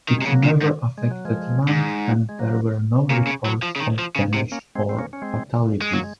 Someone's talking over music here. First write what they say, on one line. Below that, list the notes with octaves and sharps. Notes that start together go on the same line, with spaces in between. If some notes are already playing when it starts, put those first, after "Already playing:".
It never affected land, and there were no reports of damage or fatalities.
D#3
G#3
C3
C#3 F#3 A#3
A#2
G#2
G#3
F#3
F3 G#3
G#2
G#3
F#3 A#3
A#2 A#3 C#4
C#3
F#3
F3
C#3
D#3
F3
C#3
C3
A#3 C#4
G#3 C4
C4
A#3 C#4
C#4
G#3 C4
G#3
F#3 A#3
G#3